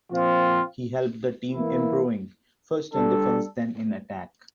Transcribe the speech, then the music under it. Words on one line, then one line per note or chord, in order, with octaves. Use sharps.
He helped the team improving, first in defence then in attack.
A#2 F3 C4 F4
E3 A#3 E4
G3 D4 A4